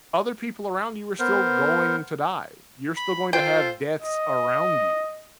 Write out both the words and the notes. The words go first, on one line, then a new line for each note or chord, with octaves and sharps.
other people around you are still going to die. You're still going to have deaths around you.
B3 A#4 C5
B5
F4 A4 C5 G5
D#5